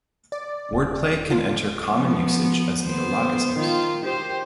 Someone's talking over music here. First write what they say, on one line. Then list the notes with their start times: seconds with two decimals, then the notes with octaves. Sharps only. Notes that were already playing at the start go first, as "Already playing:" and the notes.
Word play can enter common usage as neologisms.
0.32 D5
0.73 D#1
1.30 F4
1.90 F3 B3
2.86 B3 C5
3.57 D#3 F4
4.04 G4 C5